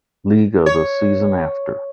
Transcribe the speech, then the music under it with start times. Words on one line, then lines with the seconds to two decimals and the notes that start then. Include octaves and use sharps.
Liga the season after.
0.66 C#5